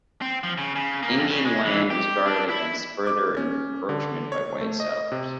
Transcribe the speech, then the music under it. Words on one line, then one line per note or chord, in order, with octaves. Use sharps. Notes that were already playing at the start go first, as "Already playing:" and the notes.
Indian land was guarded against further encroachment by white settlers.
C4
F3
C#3
C#3
A#3
F2
C#3
G#3
E3
G4
D4
E4
D6
C#4
D3
C#5
A3
D#5
C3